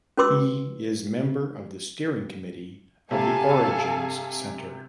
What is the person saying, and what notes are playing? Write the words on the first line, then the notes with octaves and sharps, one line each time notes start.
He is member of the steering committee of the Origins Center.
C#4 F#4 B4 C6 D6 E6
G2 C3 A4 F5 G#5